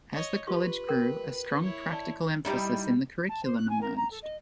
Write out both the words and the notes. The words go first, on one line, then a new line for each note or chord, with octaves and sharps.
As the College grew, a strong practical emphasis in the curriculum emerged.
C#5 D#5
F4 G4 B4 C6
A#4 G5
E4 C#5
D5 A5
G3 D#4 E4
A5
C5
F#6
G#5
A#4
A#5
A4
D#5